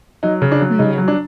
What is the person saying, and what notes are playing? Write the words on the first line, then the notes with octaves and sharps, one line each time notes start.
Yeah, me
F#3 D#4
C#3
D4
F#3
C#3 D#4
F#3
D4